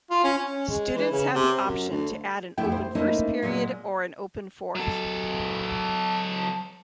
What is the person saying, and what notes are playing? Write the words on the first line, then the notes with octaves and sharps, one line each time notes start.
Students have the option to add an open first period or an open fourth.
F4
C#4
C#4
G#3
E3
C#3
C3
F#2
D2
F2 C3 A3 E4 G5
C5
A3 A#3 C#4 D#4 E4 C5
A#2 F#3 G#3 C4
F#3 A4